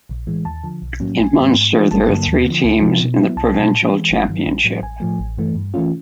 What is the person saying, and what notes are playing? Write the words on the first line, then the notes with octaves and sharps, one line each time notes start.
In Munster there are three teams in the provincial championship.
A#1
A2 E3 G#3
D#2 A5
D3 F3
B1
A2 F#3 A#3 C#4
A#1 G#5
G#2 D#3 G#3 B3
G#2
E3 A3 D4 F4
G1 A5
G2 D3 F#3 A#3
D#2
D3 F3
C#2
C3 F3
B2
F#3 B3 E4
C2 A5
B2 F#3
A2
E3 G#3
G1
G2 D#3 F#3
A#1
A2 F#3
A1 G#5
A2 F3 A3
A1
G2 E3 A3
G2
E3 A3 C#4 F4